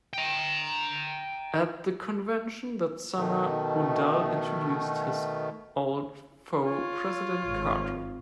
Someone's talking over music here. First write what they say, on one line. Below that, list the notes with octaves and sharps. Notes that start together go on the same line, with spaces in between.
At the convention that summer, Udall introduced his old foe, President Carter.
G5 A#5
B2 D#3 A3
F4 C#5
G#1